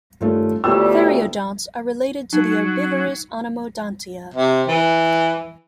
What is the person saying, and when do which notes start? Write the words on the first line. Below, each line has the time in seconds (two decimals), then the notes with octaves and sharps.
Theriodonts are related to the herbivorous Anomodontia.
0.21 G2 D#3 G3 A3 C#4 F4
0.64 D2 G3 B3 E4 F4 G4 C#5 E6
2.33 F#3 D#4
4.34 C3
4.68 E3